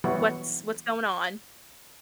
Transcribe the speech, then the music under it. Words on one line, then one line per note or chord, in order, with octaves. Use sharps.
what's what's going on.
E3 F#3 G3 B3 E4 F#4